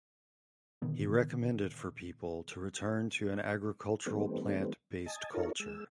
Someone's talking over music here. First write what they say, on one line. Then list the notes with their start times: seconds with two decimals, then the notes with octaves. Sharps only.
He recommended for people to return to an agricultural plant based culture.
0.82 A#2 D3 D#3 B3
4.06 D#3 G3 A3 B3 C4
5.06 D#5 G#5 A5
5.33 D#4 F4 A4 A#4 C#5
5.60 G#3 E6